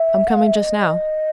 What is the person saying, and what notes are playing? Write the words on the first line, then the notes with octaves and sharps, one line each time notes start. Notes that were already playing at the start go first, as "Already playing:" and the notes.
"I'm coming just now."
Already playing: E5
F#5
F5
E5
D#5